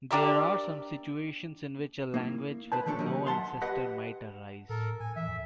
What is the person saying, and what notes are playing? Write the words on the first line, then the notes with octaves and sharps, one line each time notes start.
There are some situations in which a language with no ancestor might arise.
D4 G4 A#4 E5
A#3 E4
B4 C5 A5
D#3 F3 A3 D4 A4 C#5
F#3 A#3 G4 D#5
E5 F#5 A5 C6
G4 B4 D#5 F#5
A2 A4 A#4
A2 G#5
E3 E5
F2